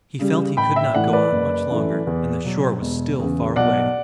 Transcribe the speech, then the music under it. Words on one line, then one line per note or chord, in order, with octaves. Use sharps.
He felt he could not go on much longer, and the shore was still far away.
C#3 G3
A1 G5 B5
E5 G5
A2 E3 A3 D5 F#5
B4 D5
F#1
F#2 E3 A3
E2
B2 F#3
E1
E2 C#3
B1 D5 F#5